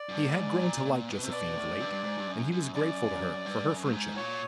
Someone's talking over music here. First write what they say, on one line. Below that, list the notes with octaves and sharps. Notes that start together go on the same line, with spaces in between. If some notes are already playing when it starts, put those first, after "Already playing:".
He had grown to like Josephine of late, and he was grateful to her for her friendship.
Already playing: D5
F#2
G2
A2
G#2
A#2
A#2
B2
C3
B2 D5
A2
F#2
G2
G2
G#2
G2
F#2
F#2
F#2 D5
G2
F#2
G2
G#2
A2
A#2 C#5